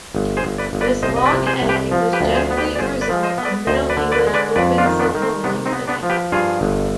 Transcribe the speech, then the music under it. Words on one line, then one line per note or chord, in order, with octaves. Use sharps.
This long A was generally a result of Middle English open syllable lengthening.
G1
G#4 C5
G1
B4 D5
G1
B4 D5
C2 C5 D#5
D#5
B4 D5
C3
G#4 C5
C2
G4 B4
F3
G4 B4
D2
G#4 C5
B3
G4 B4
D5
G1 G#4 C5
B4 D5
F3
C5 D#5
B3
B4 D5
D2 C5 D#5
B4 D5
D3
B4 D5
G#3
B4 D5
F2 B4 D5
D4 F4
D#3
B3 D4
D#3
C4
C3 B3 D4
C4 D#4
B3
B3 D4
F3
G4 B4
G2 F4 G#4
G1